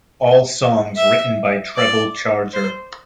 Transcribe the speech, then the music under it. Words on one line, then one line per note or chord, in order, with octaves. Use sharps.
All songs written by Treble Charger.
E5
D5
C5